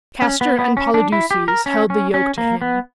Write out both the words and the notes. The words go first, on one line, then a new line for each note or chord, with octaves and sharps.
Castor and Polydeuces held the yoke to him.
C#4
B3
B3
C#4
D4
E4
G4
A#4
C#4
C#4
C#4
A#3
B3